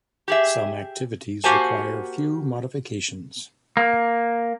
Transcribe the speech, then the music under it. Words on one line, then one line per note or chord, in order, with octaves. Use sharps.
Some activities require few modifications.
G4 G#4 E5
A#3 F#4 G4 C5 G#5 A5
A#3